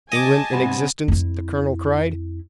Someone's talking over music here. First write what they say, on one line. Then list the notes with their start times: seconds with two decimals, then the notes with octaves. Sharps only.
"England in existence?" the colonel cried.
0.12 D#5 G#5 A5 D6
0.52 G2 C3 B3 F#5 B5 C6
1.08 F2 E4